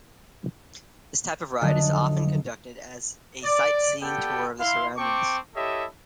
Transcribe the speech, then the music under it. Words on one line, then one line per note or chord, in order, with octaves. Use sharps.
This type of ride is often conducted as a sightseeing tour of the surroundings.
F1 D3 F#3 A4 D#5 D7
D5
B3 G4 A4 D5 G5
E4 F5 C6
C4 G5 A5 C#6 D6
E4 G4 A4 C#5 D#5 E5